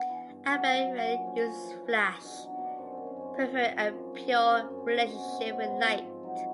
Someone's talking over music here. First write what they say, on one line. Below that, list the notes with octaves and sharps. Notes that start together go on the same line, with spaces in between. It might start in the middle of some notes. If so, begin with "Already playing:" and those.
Abell rarely uses flash, preferring a pure relationship with light.
Already playing: B3 D4
E3
G2
F#3
F#3
F#3
A#2 C#4
D4
F3 C#4
F3
E3
E3
E3
B2 D4
F#3 D#4
D4
B2
D4
F#2 C4
D#3 C4
C#4
F#2 C4
F3 C4
G#2
F3
F#2
F#2
C#3
F#2 C4
C#4
F#2
C4
F#2
B2 C#4
B2 C4
B3
B2 C4
G#2 B3
C4
F3
C4
G#2
F#3 D#4